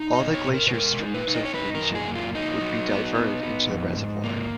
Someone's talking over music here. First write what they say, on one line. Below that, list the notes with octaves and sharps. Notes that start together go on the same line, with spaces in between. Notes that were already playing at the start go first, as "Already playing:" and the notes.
All the glacier streams of the region would be diverted into the reservoir.
Already playing: D#4
D#5
B2
C#5
B2
A#4
B4
G#3 A#4
D#4
B4
D#4
D#5
C#5
D#4 B4
A#4
F#2
G#4
A#3
F4
F#3 D#4
F#3
B3
B3
B3
F2
G#2
A#3